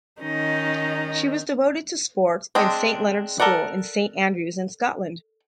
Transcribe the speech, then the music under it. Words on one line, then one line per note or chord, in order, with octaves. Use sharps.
She was devoted to sport and St Leonards School in St Andrews in Scotland.
D#3 C#4 D#4 D#5
G#3 C4 D4
A4 A#4 D5 F#5